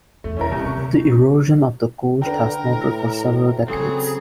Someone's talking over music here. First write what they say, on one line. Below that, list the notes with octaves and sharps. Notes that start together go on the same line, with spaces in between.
The erosion of the coast has noted for several decades.
E2 A3
D#1 A2 C#4 E4 A#4
E2 C3
C#3 C#6
D3 A#4 B4 G5
A2
C#3 F#3 C4 G#4 A4